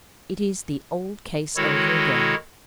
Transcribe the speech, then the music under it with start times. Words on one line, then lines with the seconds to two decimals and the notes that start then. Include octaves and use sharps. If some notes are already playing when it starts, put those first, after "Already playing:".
It is the old case over again.
1.56 D#3 G#3 E4 F#4 A4 C#5